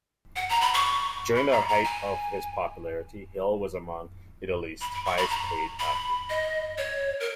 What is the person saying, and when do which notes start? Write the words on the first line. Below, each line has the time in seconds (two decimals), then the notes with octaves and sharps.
During the height of his popularity Hill was among Italy's highest-paid actors.
0.36 F#5
0.49 A#5
0.61 B5
0.74 C#6
1.36 B5
1.52 A#5
1.68 A#5
1.84 G#5
4.81 B5
4.93 B5
5.05 C#6
5.18 B5
5.30 A#5
5.79 B5
6.29 D#5
6.78 C#5
7.20 A#4